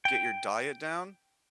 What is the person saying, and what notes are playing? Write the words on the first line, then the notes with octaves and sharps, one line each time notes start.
get your diet down
G5